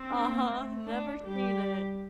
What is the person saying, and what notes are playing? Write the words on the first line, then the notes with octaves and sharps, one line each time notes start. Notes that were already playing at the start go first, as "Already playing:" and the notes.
Uh-huh. Never seen it.
Already playing: C4
D4
A#3
A3
D4
G3 G4